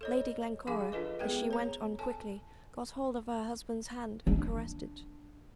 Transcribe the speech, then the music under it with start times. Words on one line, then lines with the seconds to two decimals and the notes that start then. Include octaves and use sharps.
Lady Glencora, as she went on quickly, got hold of her husband's hand, and caressed it.
0.01 A4 C#5 D#5
0.67 F3 D4 G#4 F5 G#5 D6
0.92 D4 F4 A4 B4 D#5
1.19 G#3 B3 G#4 A4 B4 G5
1.51 C#5 A#5
1.99 A4 G#5 A5
4.27 D4